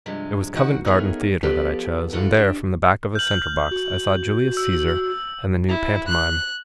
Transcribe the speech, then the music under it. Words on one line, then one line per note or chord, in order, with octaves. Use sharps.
It was Covent Garden Theatre that I chose; and there, from the back of a centre box, I saw Julius Caesar and the new Pantomime.
G2 C3 F3 G#3
D#3 F#4 F#5
A3 B3 D#4 G#4 A#4 C#5
F3 B3 G4 A4 B4 D5
E3 F4 F#4 A4
D4 G4
F6 G6 F#7
F#4
E6
E4
F#6